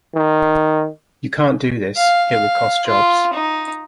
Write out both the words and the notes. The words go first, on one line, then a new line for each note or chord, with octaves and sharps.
You can't do this, it will cost jobs.
D#3
F5
F5
F4
D#4